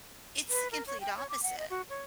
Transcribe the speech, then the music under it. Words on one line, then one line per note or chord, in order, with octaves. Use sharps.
It's the complete opposite.
B4
A#4
C#5
G5
C#5
D6
F#5
D#5
F#4
C#5